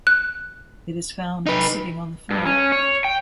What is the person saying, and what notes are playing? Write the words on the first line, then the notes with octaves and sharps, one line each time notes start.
It is found sitting on the floor.
F#6
D#4 B4
G2
C#4
C#5
G5